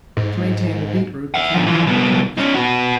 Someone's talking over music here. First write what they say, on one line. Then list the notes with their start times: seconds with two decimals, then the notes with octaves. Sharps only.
To maintain the beet-root, the cane had to be taxed.
0.17 G#2
1.34 E5 F#5
1.54 G#2 F3
1.66 E3 F3
1.86 C2 B3
2.37 C#4 D#4
2.55 F#4 B4